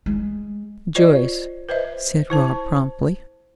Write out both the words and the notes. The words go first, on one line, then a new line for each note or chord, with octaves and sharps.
"Joyce," said Rob, promptly.
G#3
F4 C5 D5 D#5
B4 C5 D#5 E5
E4 C5 A5